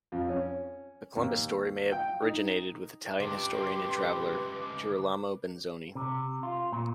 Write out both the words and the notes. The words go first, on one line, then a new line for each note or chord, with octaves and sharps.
The Columbus story may have originated with Italian historian and traveler Girolamo Benzoni.
F2
C#4
D#2
G5
D#4
C#2 D4 G4 B4 C6 D6
C3
F4
A#2